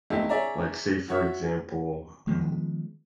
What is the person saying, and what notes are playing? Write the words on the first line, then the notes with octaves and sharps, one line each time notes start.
like, say, for example, um
G#1 E2 A2 D#4 G4 E5
G#4 C#5 D5 E5 A#5
F#4 C#5 E5
D#3 F3 G#3 B3